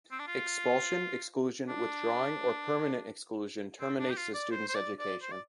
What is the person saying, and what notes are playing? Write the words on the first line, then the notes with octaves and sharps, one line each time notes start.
Expulsion, exclusion, withdrawing, or permanent exclusion terminates the student's education.
C4
D4
F4
D4
C4
D4
G4
F4
D5
C5
C5
D5
D5
C5
D5